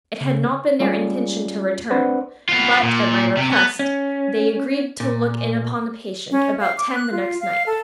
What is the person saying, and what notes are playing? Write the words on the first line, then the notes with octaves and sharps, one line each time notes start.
It had not been their intention to return; but, at my request, they agreed to look in upon the patient about ten the next night.
C#3
G3 G#3 C#4 F4 G#4 D5
C4 D4 B4 C5 D5 F#5
B3 F4
A#2
C3
B3
C#4
A#2
C#4
F5
D6
F#6
F4
F5
A4